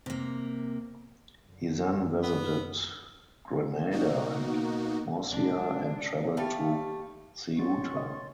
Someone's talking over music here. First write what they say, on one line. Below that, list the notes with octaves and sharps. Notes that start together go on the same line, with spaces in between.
He then visited Granada and Murcia and traveled to Ceuta.
C3 A#3
F#2 D3
B3
B2 A#3 D#4 F#4
G#3 D4
G3 A3 F5
D#4 F#4 C#5 C6 C#6 A6
D#5